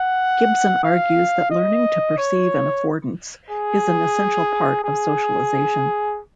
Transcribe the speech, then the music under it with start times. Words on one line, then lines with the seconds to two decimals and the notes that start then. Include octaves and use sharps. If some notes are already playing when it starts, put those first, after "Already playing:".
Gibson argues that learning to perceive an affordance is an essential part of socialization.
Already playing: F#5
0.85 F5
1.51 D#5
2.18 C#5
3.50 G#4
4.84 G#4